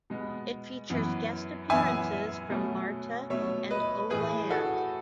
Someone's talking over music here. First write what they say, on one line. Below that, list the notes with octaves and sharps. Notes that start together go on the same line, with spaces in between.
It features guest appearances from Marta and Oh Land.
B2 G#3 B3
F#2 E3 B3
F#2 E3 B3 E5 G#5
B2 F#3 A3 C#4
B2 F#3 A3 C#4 C#5 E5
B4 D#5
A2 E3 A3 G#4 B4
F#4 A4